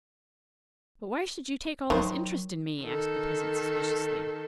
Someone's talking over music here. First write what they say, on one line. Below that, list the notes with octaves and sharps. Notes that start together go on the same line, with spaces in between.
'But why should you take all this interest in me?' asked the peasant suspiciously.
D#3 F#3 C5
D#3 A4